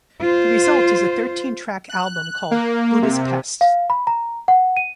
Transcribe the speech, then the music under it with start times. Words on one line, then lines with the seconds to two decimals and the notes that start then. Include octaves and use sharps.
The result is a thirteen-track album called "Buddha's Pest".
0.21 F4 C5
1.89 F#6
2.51 A#3
3.02 C3
3.61 F5
3.90 B5
4.07 A#5
4.48 F#5
4.77 D#7